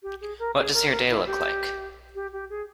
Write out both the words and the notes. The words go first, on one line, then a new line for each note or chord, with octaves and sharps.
What does your day look like?
G4
G#4
A#4
G#4
A#4
A#4
E4
G4
G4
G4
G#4